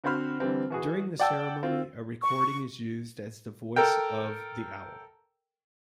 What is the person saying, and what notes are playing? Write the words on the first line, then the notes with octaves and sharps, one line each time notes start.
During the ceremony, a recording is used as the voice of The Owl.
D3 C4 F#4 C5 B5 F6
D3 E3 G3 C4
E3 F#4 G#4
D5 F#5 G5 A5 E6
C4 F4 F#4
C#6
A4 A#4 G5